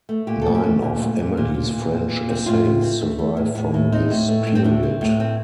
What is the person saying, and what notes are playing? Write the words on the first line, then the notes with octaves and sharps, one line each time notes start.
Nine of Emily's French essays survive from this period.
A3
A#2 G4
A3 A4
G4
A3
A#2
A3
A#2
A#2
A#2
A#2
C4
A#2
C4
A2 F4
A3
C4
A3
A3
A2
A2
A2
C4 D#4
A2
A3
A2
C4
A3 D4
C4
A2
C4